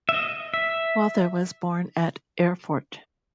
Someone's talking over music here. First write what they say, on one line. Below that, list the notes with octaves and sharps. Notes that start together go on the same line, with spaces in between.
Walther was born at Erfurt.
E5
D#5
E5